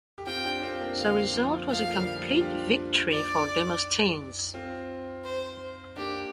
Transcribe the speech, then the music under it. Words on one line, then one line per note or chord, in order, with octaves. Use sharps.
The result was a complete victory for Demosthenes.
G4
C4 F4 G5
D4 G4
C4 F4
A#3 D4
D3 F5
F3
F3 F5
A#3
D3 G3
F3
F4
D4 G4
D5
C4 F4
C5
A#3 D4 G4